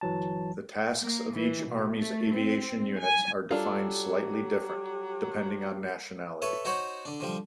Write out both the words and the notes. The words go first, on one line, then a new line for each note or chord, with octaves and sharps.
The tasks of each army's aviation units are defined slightly different, depending on nationality.
G1 E3 F#3 A5
A#3
E3
B2
A3
C4
G#5
F#3 G3 D4 F4 G4 A4
A4 B4 C#5 E5
D#4 F#4 C5 C#5 F#5
D3 D4
D3 F3 G3